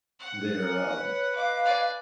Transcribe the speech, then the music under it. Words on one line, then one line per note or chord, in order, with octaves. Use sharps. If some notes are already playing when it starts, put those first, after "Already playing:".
they're um
F#5
A#4 G#5
B4 C#5
D#5 F5 D6
D5 G#5